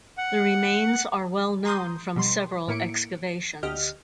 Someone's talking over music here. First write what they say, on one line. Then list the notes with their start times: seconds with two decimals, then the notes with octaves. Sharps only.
The remains are well known from several excavations.
0.18 F#5
1.65 A#5 C6 D#6 G6
2.16 B2 G3 C6
2.68 A2 A#3 E4 C#7 D7
3.63 D2 D3 G4 D#5 F6